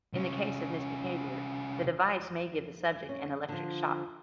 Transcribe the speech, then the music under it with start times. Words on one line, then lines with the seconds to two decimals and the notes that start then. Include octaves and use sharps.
In the case of misbehaviour, the device may give the subject an electric shock.
0.13 C2 C#4
3.09 C#4
3.49 D3 F3